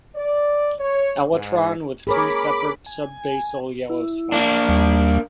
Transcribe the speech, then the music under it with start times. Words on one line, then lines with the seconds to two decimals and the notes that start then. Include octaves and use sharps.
Elytron with two separate subbasal yellow spots.
0.15 D5
0.79 C#5
1.33 G#2
2.07 G#4 A#4 C#5 B5 D6
2.86 G#5
3.90 E4
4.32 A#3 D4
4.69 D#2 G3